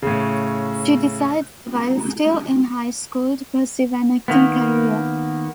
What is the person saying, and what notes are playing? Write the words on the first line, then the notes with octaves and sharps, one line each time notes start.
She decided, while still in high school, to pursue an acting career.
A2 C#3
D#3 A#3 B3